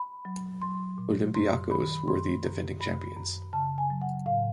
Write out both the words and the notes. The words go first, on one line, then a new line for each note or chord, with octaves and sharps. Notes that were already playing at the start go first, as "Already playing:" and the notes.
Olympiacos were the defending champions.
Already playing: B5
F#3
F#3 C6
A#2
F#2 C6
D#3 B5
F#2 C6
F#2
F#2 B5
F#2
C#3 A5
G#5
F#3
F#5
A2 F5